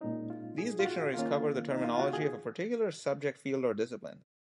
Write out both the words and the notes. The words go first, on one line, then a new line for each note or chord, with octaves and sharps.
These dictionaries cover the terminology of a particular subject field or discipline.
A#2 G#3 C#4 D#4
F4
G#4
F4
F#4
D#3 A#3 C#4 F4
D#4
F4
F#4
G#4